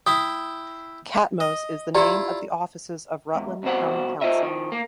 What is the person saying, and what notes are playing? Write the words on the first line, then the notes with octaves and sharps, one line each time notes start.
Catmose is the name of the offices of Rutland County Council.
E4 E5 G5 D#6
D#5
E4 F4 G4 D5 A#5
E2 G#2
C2 F2 B2 C5 F#5
F4 C5 D#5 E5
D#3 F3
A#3